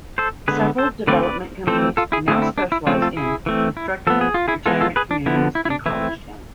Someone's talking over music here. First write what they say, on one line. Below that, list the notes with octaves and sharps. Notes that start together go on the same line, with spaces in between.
Several development companies now specialize in constructing retirement communities in college towns.
A4 C5
D3 G#3 B3 G#4 B4
A4 C5
D3 A3 C4 B4 D5
B4 D5
E3 A3 C4 A4 C5
F4 A4
E4 G#4
D3 A3 C4 E4 G#4
E4
D4
E4
F3 A3 C4 D4 F4
F4 A4
E4 G#4
E3 A3 C4
E4
F3 B3 A4
G#4
F4
E4 G#4
E3 G#3 B3 F4 A4
F4 A4
G#4 B4
D4
D3 F3 B3 E4
E4
E4
D4
E3 A3 C4 E4